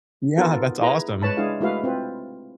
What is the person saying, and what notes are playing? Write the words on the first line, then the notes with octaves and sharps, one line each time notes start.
Yeah, that's awesome.
B3 D#4 F4 F#4 A4 A#4
E4 G#4 B4 A#5
G#3 B4 C#5 A5 B5
G#3 D4 E4 G#4 F5
G#3 A3 E4 F#4 B4 F5
C4 F4 B4